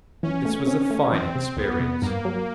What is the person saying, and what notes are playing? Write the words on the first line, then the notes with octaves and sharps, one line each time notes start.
This was a fine experience.
E3 C#4
A3
C4
A3
E3 C4
C3
C#2 B3
C3
G2 A#3
F#3